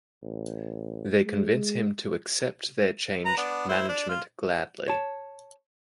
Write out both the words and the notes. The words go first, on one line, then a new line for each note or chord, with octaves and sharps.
They convince him to accept their change management gladly.
A1
G#3
B4 A#5
B3 D4
E4 C5
D4
F4
C#5 A5